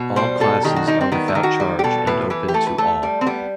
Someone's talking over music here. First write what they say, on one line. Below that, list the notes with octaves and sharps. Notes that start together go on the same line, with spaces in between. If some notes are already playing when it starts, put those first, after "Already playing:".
All classes are without charge and open to all.
Already playing: B2
G3 C5
B2 A4
D#3 G4
F#4
G3 D#4
C4
D#3 B3
A3
D#3
F#4
G3
G4
B2 A4
A2 B4
E3 B4
G4
A3 A4
B4
A3 A4
G3
C4
G3 B3